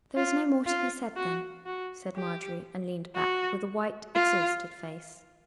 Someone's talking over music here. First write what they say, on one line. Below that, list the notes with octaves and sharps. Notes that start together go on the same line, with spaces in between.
"There is no more to be said, then," said Marjorie, and leaned back, with a white, exhausted face.
F4
F4
F#4
F#4
G4
F#4
F4